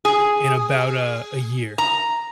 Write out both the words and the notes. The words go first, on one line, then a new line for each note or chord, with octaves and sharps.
in about a a year.
G#4
A#5